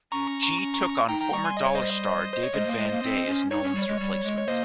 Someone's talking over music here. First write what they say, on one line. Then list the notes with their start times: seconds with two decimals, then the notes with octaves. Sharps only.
G took on former Dollar star David Van Day as Nolan's replacement.
0.12 C#4 A#5 C#6
1.08 D#4 G5 A#5
1.21 G5 A#5
1.33 G3 A#5 C#6
1.45 G#5 C6
1.57 D#5
1.66 C#5
1.74 C5 D#5
2.33 C5
2.43 C#5
2.54 G#3 C5 D#5
2.66 A#3
2.79 G#3
2.91 A#3
3.03 C4
3.27 C#4
3.51 D#4 C#5
3.63 C#4
3.75 G3
3.88 G#3
4.00 G3
4.24 G#3
4.38 C#5
4.48 A#3 C5 D#5